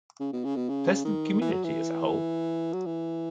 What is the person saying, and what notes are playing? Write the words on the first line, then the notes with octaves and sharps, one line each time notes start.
Pleasant community as a whole.
C#3
B2
C#3
B2
C#3
D#3
E3
F#3
E3
F#3
E3